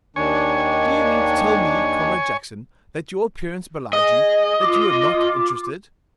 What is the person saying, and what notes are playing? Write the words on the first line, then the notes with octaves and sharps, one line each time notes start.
Do you mean to tell me, Comrade Jackson, that your appearance belied you, that you were not interested?
D#2 D#3 D4 C#5 G#5
G#4 D#5
F4 D6